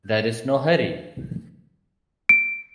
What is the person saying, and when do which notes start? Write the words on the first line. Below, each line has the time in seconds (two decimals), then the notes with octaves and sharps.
There is no hurry.
2.29 D7